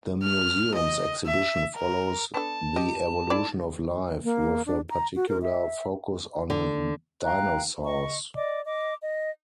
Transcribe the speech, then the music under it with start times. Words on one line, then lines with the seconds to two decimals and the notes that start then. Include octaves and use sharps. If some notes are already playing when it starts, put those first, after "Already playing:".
The museum's exhibition follows the evolution of life, with a particular focus on dinosaurs.
0.24 F6
0.75 D#5
1.26 E5
1.76 A#4
2.34 B3 D4 A4 A5
2.76 G4 D#5
3.30 E4 A4 D5
4.24 A#3
4.66 D4
4.90 A#5
5.16 F#4
5.29 A#4
5.42 E5
6.50 D3
7.24 F5 G5 A#5 F#6
7.85 D#5 C#6
8.36 D5 D#5 D6
8.65 D#5 D6
9.03 D#5